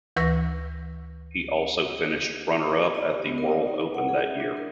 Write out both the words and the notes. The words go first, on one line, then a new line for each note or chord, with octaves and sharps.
He also finished runner-up at the World Open that year.
D2 E3 B4 C#6 E6 A#6
D5
G4
B3
A#4
D5
D#4
B4
F#5
G#4
E5
D4
A#4